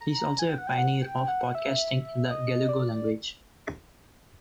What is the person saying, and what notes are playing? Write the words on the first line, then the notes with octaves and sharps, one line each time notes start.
He is also a pioneer of podcasting in the Galego language.
A#5
G#5
G5
F#5
G5
F#5
G5
F#5
E5
D#5
D5